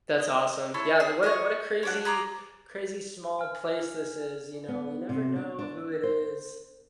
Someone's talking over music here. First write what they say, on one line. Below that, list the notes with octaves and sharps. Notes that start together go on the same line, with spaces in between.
That's awesome. Yeah, the what a what a crazy crazy small place this is, you know. You never know who it is.
D#5
E4 A4 C#5
G#4
D#5 G#5 C6 C#6
C#4 D4 F#5
G#4 A#5 B5 D6
G#5 F6
B3
C3
D4
D4
C5